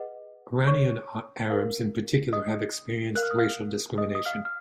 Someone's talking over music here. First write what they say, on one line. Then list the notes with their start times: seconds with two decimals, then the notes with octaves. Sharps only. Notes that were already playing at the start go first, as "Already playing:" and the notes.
Iranian Arabs in particular have experienced racial discrimination.
Already playing: G#4 B4 D#5 F#5
0.67 C#5 C#6
1.50 A#4 F5
2.33 D#5 D#6
3.15 A#4 F5 F#6
3.23 F6
3.31 D#6
3.38 F5 F6
3.98 D#5 D#6
4.15 D#6
4.25 F5 F6
4.45 F6